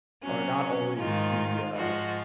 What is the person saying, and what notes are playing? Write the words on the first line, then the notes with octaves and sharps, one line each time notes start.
are not always the uh
C3 F#3 C#4
G#2 D#3 G#3 F4
G#2 F3 G#3 F#4